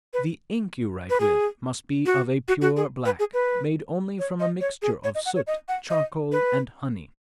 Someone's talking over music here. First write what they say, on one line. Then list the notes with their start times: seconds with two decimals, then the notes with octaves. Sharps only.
'The ink you write with must be of a pure black, made only from a mixture of soot, charcoal, and honey.
0.13 B4
1.10 B4
1.20 G#4
2.06 F#4
2.48 F#4
2.62 F#4
2.77 G#4
3.05 B4
3.19 G#4
3.34 B4
4.19 C#5
4.40 D#5
4.61 C#5
4.82 G#4
5.04 C#5
5.15 D#5
5.25 F#5
5.36 C#5
5.47 D#5
5.69 F#5
5.90 D#5
6.32 B4